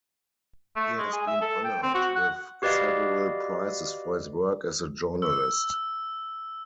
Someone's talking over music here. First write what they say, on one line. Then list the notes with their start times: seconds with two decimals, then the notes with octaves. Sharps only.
He has been honoured with several prizes for his work as a journalist.
0.76 A3
0.98 G#3
1.13 G#4
1.27 E5
1.41 A4
1.64 G5
1.83 C4
1.94 F#4
2.15 F#5
2.62 F#4 G4 B4 D5 D#5 F5
5.22 E6